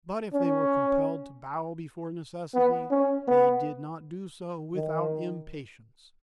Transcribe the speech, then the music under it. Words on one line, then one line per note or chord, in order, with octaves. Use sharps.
But if they were compelled to bow before necessity, they did not do so without impatience.
C#4
B3
C#4
B3
D#3